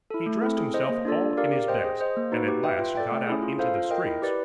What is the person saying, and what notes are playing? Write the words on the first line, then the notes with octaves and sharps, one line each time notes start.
He dressed himself 'all in his best,' and at last got out into the streets.
E4 A4
A3
C4 E4 A4
G#4
C5 D#5
A#3
D4 F4 A4 D5
D4
G4 A#4 D5 F5
G4
C5 D#5 G5
G#4
C5 D#5
A#3
D#4 F#4 B4
G4
B4 E5 G5
F4
A4 D5 G5
A3
C#4 E4 G#4
F4
A4 C5 F5
F4
A#4 D#5 G5
E4
G4 B4 D5